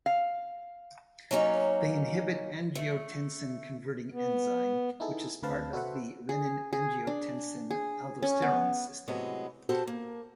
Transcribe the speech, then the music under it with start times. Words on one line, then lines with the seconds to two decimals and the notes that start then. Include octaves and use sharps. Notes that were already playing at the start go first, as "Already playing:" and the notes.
They inhibit angiotensin-converting enzyme, which is part of the renin-angiotensin-aldosterone system.
0.06 F5
1.31 F#3 A#3 C#4 D#4
2.75 A3
4.12 B3
5.00 D#4 E4 G#4 A4
5.43 D2 D3 C4 B4 F5 A5
5.73 F#4 A4 B4 C5 E5 F#5
6.29 G#4
6.73 G#4
7.07 D4
7.71 G#4
8.22 C#4
8.42 B3
9.07 A2 C3 F#3 G#3 B3
9.69 B2 F#4 G4 A4 C5 A5
9.87 A#3